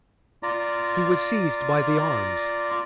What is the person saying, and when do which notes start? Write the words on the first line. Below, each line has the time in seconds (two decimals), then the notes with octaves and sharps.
He was seized by the arms.
0.43 F4 D5 A#5